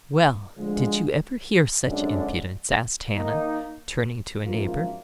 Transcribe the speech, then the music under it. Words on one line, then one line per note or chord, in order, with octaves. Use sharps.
'Well, did you ever hear such impudence?' asked Hannah, turning to a neighbour.
D2 D3 F3 G#3
G#1 F#2 D3 G#3 D4
D#3 A#3 D#4
G#1 F#2 F3 A#3 F4